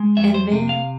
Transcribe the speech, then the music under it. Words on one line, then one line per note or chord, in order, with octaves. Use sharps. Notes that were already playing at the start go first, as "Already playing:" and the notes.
And then
Already playing: G#3
F2 E5
C5
C3
F5